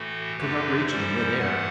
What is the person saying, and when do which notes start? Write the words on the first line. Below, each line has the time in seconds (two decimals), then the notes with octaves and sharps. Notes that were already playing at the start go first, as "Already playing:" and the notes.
He could not reach it in mid-air.
Already playing: A2 E3 A3 F#4 A4
0.37 F#2 D3 F#3 A3 G4 B4
0.87 F#2 E3 G3 A4 C5
1.38 G2 E3 A3 F#5 A5